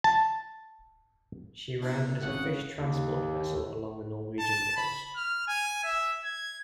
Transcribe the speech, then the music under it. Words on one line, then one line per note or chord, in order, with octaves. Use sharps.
She ran as a fish transport vessel along the Norwegian coast.
A5
B2 D4 E4
G#1 C#3 F#5
D#2
A5
B5
F6
G#5
E5
G#6